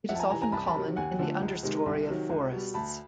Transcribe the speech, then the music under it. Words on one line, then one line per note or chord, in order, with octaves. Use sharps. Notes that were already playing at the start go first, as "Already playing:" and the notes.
It is often common in the understorey of forests.
F2 E5 F#5
A5
G#5 A#5
C3 E3 G#5 A#5
G#5 A#5
C2 A5 B5
A5 B5
C3 D#3 F#3
D#2 F#5 G#5
D3 F3 A3
C#2
C3 D#3 G#3
C2
C3 D#3 F#3
C#2
B2 G3
D2 A5 B5